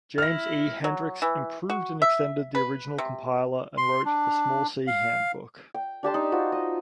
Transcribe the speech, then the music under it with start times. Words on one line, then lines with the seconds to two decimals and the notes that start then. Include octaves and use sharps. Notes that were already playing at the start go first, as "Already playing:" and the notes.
James E. Hendrix improved and extended the original compiler, and wrote "The Small-C Handbook".
0.18 E4 F6 A#6
0.84 F#3
1.22 E3
1.70 F#4
2.02 E5
2.55 B4
2.98 C3
3.77 C6
4.05 D4
4.87 F5
5.74 G5
6.03 D4 G4 A5 C6
6.14 D#4
6.32 F4 F#4 C5
6.52 D#5